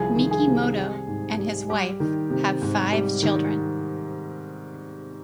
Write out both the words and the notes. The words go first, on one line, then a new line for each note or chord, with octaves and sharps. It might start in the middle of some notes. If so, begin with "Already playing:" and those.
Mikimoto and his wife have five children.
Already playing: C2 F3 G#4
D#3
G#4
C3
G3
G#2
G3
G3 G4
D#3
C3
G#2
G3
D#3